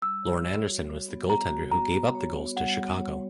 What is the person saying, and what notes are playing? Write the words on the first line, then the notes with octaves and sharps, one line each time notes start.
Lorne Anderson was the goaltender who gave up the goals to Chicago.
G3 E6
C#5
C#5
F#4
C#5
B3
G3 A#5
F#4
B3 A#5
B3
C#5
B3
G3 F#5
G3
C#5